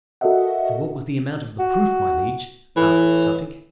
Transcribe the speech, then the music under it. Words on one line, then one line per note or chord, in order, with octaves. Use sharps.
"And what was the amount of the proof, my liege?" asked Suffolk.
F#4 A4 A#4 D#5 E5 F#5
F#4
A2 E3